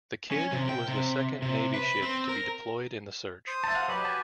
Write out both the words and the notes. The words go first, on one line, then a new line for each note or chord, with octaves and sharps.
The "Kidd" was the second Navy ship to be deployed in the search.
C#4
C3
G5
C3
C3
B4
C4
A#4
C5 D#6
E5 A5
F5 F#5
F#3 F#4 G4 B4 D#5 B5
G#5 A5